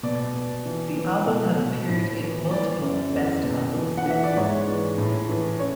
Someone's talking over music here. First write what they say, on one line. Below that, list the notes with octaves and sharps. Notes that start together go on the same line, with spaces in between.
The album has appeared in multiple "best albums" lists.
B2 D5
B2
E3
E3
B2
B2
A2
E3
E3 D5
F#2
E2
B2
E3
F#5
E3 E5
D5
G#2 C#5
E3
A2
E3
C#3 C#5